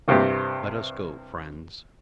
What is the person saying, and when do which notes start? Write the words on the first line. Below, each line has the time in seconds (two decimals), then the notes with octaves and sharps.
"Let us go, friends."
0.08 C2 G2 C3 C4 G4 C5